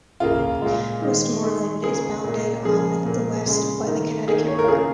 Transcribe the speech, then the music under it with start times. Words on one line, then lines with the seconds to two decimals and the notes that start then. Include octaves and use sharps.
Westmoreland is bounded on the west by the Connecticut River.
0.20 C#3 A#3 F4
0.62 A#2 G#3 F4
1.02 D#3 G#3
1.43 D#3 G#3
1.84 C#3 A#3 G#4
2.24 A#2 A#3
2.65 C#3 F3 A#3 G#4
3.06 A#2 A#3
3.46 C#3 G#3
3.87 D#3 A#3
4.27 D#3 A#3 G#4
4.48 C#5
4.59 A#4
4.64 F4
4.68 C#3 A#3 G#4